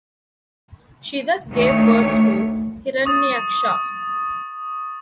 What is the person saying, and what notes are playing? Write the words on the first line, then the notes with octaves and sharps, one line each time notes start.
She thus gave birth to Hiranyaksha.
D2 D#3 A3 C#5
C#6 D#6 A6